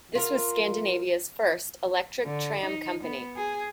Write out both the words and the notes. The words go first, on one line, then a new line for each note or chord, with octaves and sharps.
This was Scandinavias first electric tram company.
F4 A#4
D3
D#4
B3
G#4